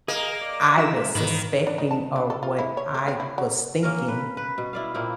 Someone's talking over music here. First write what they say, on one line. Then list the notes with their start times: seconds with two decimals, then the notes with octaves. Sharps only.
I was suspecting or what I was thinking
0.08 A#3 G#4 D#5 A#5
0.42 D5
0.78 D#4 E4 F#4 A#6 B6 E7
0.93 G#3
1.15 G#2 D#3 E3 B4 B5
1.67 D4
1.78 D#4
1.91 A5
2.16 D4
2.30 A4
2.43 F4
2.59 E4
2.77 C#5
2.95 A3
3.08 C4
3.20 E4
3.38 F#3
3.83 A#3 C#4 A#4
4.08 B4
4.37 B4
4.58 B2
4.73 E4 D5 F5
4.94 A#2 A#3 C4 E4